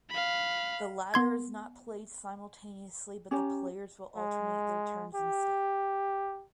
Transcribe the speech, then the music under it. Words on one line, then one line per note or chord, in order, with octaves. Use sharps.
The latter is not played simultaneously but the players will alternate their turns instead.
F5 B5
B3 C6 G#6
C#4 G4 C#5 A#5
G#3
G4